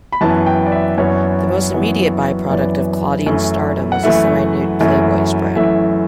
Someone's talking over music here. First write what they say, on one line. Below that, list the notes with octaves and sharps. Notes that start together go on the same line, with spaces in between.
The most immediate byproduct of Claudine's stardom was a semi-nude "Playboy" spread.
B5
F#2 E3 B3 A5
G5
D5
E5
F#2 E3 B3 C#5
F#2 E3 B3
F#2 E3 B3 D5
F#2 E3 A3 E4
F#5
F#2 E3 A3 E4 E5
F#2 E3 A3 E4
F#2 E3 A3 E4 E5